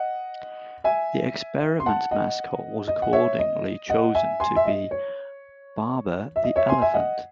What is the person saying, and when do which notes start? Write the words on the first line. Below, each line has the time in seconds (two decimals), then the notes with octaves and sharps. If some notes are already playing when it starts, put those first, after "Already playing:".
The experiment's mascot was accordingly chosen to be Babar the Elephant.
Already playing: D#5 F#5
0.84 E5 G#5
1.80 C6
1.86 F#5 A5
2.11 D#5 F#5
2.88 D#5
3.02 F#5
3.13 C#5 E5
3.39 D#5
3.90 D#5 F#5
4.15 E5 G#5
4.40 G#5 C6
4.56 E5
4.66 D#5
4.91 C#5
6.36 E5
6.44 D#5
6.56 C#5 E5
6.69 G#5 C6
6.82 E5 G#5
6.94 D#5 F#5